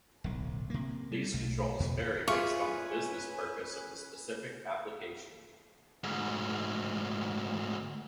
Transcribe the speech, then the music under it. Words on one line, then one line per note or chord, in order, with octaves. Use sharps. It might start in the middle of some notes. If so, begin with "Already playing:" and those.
These controls vary based on the business purpose of the specific application.
D1 B1
C3 A#3
G3
B1 A3
E2 B2
C#4 F4 G#4 B4 E5 G#5 C#6
D2 G#2